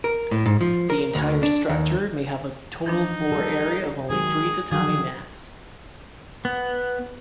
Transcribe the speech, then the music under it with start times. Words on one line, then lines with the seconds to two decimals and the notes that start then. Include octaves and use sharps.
The entire structure may have a total floor area of only three tatami mats.
0.04 A#4
0.31 A2
0.46 G#2
0.61 F3
0.90 A#4
1.15 D2
1.43 D4
1.69 D#2
2.86 E3 F3 D4 D#4
3.31 G3 A4
4.10 D#3 F#3 G#3 G#4
4.71 D3 D#3 F3 F#3 G#4 F5 D6
6.45 B3